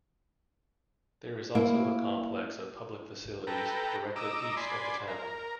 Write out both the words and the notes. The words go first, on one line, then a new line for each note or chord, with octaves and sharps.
There is also a complex of public facilities directly east of the town.
A#3 E4
A4 B4 G5 A#5
D#5 A#5 D6 E6
D5 G#5 B5 C6
A#4